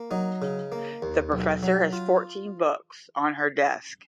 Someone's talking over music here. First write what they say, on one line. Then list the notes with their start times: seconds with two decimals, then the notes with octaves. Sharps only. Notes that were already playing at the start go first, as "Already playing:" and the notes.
The professor has fourteen books on her desk.
Already playing: A#3
0.11 F#3 D#4
0.42 C#3
0.72 A#3
1.02 D#2
1.32 B1
1.63 F#3
1.93 F4